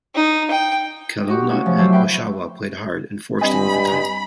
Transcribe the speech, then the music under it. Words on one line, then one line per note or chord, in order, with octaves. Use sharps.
Kelowna and Oshawa played hard and forced an overtime.
D#4
G5
D#4 F#4 G4
A3 C#4 D4 F4 F#4
C#3 F3
F#3 D4 C5 E5
E4 B4 E5 G5 C6
G2 C4 D#5 G#5 B5